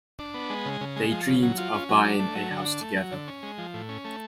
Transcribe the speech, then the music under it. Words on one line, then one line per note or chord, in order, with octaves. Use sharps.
They dreamed of buying a house together.
D4
B3
G#3
C#3
C#3
G#3
F3
C#3
F#3
F4
C#4
F#3
D4
A3
F#3
D3
D4
A3
F#3
D3
C#4
G#3
F3
A2
C#4
A3